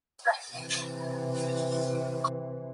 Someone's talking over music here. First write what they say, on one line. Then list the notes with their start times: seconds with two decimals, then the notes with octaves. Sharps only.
It is located in Manthani mandal.
0.52 C3 E3